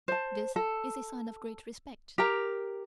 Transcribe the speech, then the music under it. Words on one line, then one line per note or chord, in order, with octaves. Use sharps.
This is a sign of great respect.
C5 A5
A4
G4 A#4 A#5